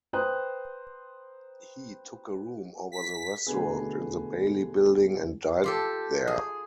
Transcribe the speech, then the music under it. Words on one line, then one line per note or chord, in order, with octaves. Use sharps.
He took a room over the restaurant in the Bailey building and died there.
B4 C5 G5 A#5 D#6 F#6
B6
B2 D3 A3 B3 G#4
F4 G4 A4
G#4